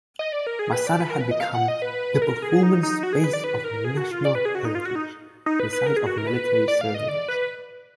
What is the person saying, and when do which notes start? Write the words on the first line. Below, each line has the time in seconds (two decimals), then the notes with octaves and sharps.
Masada had become "the performance space of national heritage", the site of military ceremonies.
0.19 D#5
0.32 D5
0.47 A#4
0.59 G#4
0.73 B4
0.87 D5
1.01 B4
1.10 A#4
1.21 B4
1.31 D#5
1.40 F5
1.54 F#5
1.68 D#5
1.82 B4
2.22 A#4
2.42 G#4
2.63 D#4
2.83 D#4
3.03 F#4
3.13 G#4
3.24 B4
3.33 D5
3.44 B4
3.64 A#4
3.85 G#4
3.97 F#4
4.11 F4
4.25 D5
4.35 B4
4.45 G#4
4.55 F#4
4.65 D#4
4.75 F4
4.85 F#4
4.95 D#4
5.46 D#4
5.60 B4
5.73 B4
5.87 A#4
5.96 G#4
6.07 F#4
6.18 A#4
6.27 B4
6.68 D5
6.81 F5
6.94 D#5
7.08 D5
7.28 B4